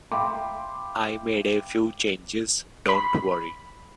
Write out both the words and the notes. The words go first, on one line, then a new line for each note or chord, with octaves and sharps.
I made a few changes, don't worry.
E5 F5 G5 B5 C6 D6
B5